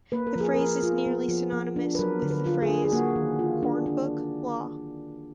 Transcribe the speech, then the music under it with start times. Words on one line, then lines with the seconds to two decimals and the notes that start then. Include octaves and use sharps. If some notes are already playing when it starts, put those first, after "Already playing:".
The phrase is nearly synonymous with the phrase "hornbook law".
0.12 A#3 B4
0.27 A#4
0.36 F3 G#4
0.54 F3 A#4
0.83 F4
1.06 B3
1.29 F3
1.52 F3
1.76 D4
1.95 B4
1.99 F#3 A#4
2.22 D3
2.31 B4
2.46 F4
2.62 G#4
2.69 D4
2.84 G#4
2.92 A#3 F#4
3.16 D#3
3.39 F4
3.62 D4
3.86 D4